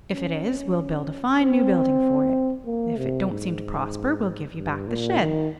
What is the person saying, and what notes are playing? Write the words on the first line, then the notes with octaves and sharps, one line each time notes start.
If it is, we'll build a fine new building for it; if it don't seem to prosper, we'll give you back the shed.
C#4
C4
A#3
C3
G#2
G2
A#2
D#3